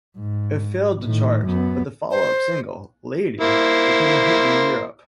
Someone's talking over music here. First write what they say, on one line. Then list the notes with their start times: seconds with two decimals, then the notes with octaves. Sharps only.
It failed to chart, but the follow-up single, "Lady" became a hit in Europe.
0.18 G#2
1.02 A2 D#3
1.47 F#2 B3
2.11 C5
3.40 A#3 E4 C5